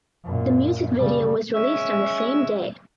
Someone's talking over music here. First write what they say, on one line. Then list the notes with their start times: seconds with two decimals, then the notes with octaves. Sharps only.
The music video was released on the same day.
0.24 F#2 A#2
0.99 C#3 G3
1.54 G#3 C#4 E5